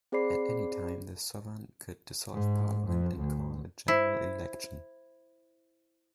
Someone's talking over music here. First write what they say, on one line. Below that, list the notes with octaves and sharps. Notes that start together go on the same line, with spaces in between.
At any time the Sovereign could dissolve parliament and call a general election.
C4 G#4 C5 D5 B5 C7
G#2
F2
D2
E4 C5